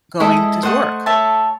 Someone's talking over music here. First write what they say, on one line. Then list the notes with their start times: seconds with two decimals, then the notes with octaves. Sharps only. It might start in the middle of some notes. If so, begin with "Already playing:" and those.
going to s work.
0.20 G#3 E4 A4 D#5
0.63 A3 C5 D#5 F#5 C#6
1.06 C#5 E5 A5